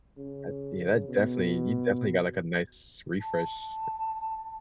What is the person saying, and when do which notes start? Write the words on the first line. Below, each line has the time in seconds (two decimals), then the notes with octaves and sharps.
Eh, yeah, that definitely you definitely got, like, a nice refresh.
0.18 C#3
1.08 B2
3.21 A5